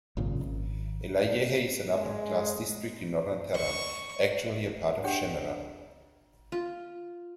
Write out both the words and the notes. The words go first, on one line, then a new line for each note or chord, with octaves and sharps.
Elahiyeh is an upper class district in Northern Tehran, actually a part of Shemiran.
G#1 F#2 A#2 C#3
G#1
G#3
C#6
D4 G4 G#4 C#5 F#5 G5
F4